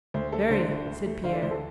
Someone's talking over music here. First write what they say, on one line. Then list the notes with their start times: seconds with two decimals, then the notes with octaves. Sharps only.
"Very," said Pierre.
0.14 D2 C5
0.32 A3 A4
0.50 D3 C5
0.68 D2
0.87 D2
1.06 A3
1.24 D3 C5 F5
1.32 A4 D5
1.42 D2 C5
1.51 A4